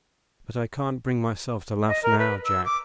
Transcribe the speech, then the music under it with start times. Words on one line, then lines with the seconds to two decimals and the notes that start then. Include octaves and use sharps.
But I can't bring myself to laugh now, Jack.
1.88 D#5
2.03 A#4
2.19 B4
2.44 E6
2.65 D6